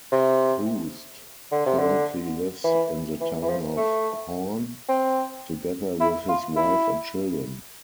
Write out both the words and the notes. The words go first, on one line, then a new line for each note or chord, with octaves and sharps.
Hoost currently lives in the town of Hoorn, together with his wife and children.
C3
D3
C3
D3
E3
E3
E3
F3
A3
C4
E4
F4
E4